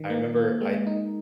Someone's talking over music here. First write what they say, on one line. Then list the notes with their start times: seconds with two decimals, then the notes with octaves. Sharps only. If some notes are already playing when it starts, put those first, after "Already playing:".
I remember I
Already playing: D#3
0.10 A#3
0.36 A#3
0.61 G#3
0.87 D#4